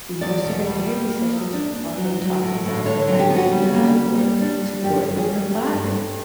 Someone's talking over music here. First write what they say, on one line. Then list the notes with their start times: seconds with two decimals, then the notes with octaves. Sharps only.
most of her therapy sessions are her talking about the lack of love, or support, from her father.
0.21 E2 D5
0.44 B2
0.66 G3
0.88 A#3
1.10 A#3
1.32 E2
1.54 D4
1.76 D4
1.97 F#3
2.20 F#3
2.42 A2
2.64 A2
2.85 D3 C#5
3.07 F#3
3.19 G4
3.30 B3
3.36 F#4
3.52 G3
3.74 A#3
3.96 G3
4.18 G3
4.41 D4
4.62 G3
4.84 F#2 G4
5.06 F#2
5.17 G#4
5.29 G3
5.50 A3 G4
5.72 G2
5.95 G2